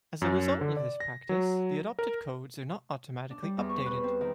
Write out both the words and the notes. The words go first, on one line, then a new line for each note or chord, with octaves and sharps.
As a result of this practice, the adopted codes are not automatically updated.
F#2
D3
D5
A#6
F#3
A#4
D4
G3
E2
C#6
B4
C4
D#3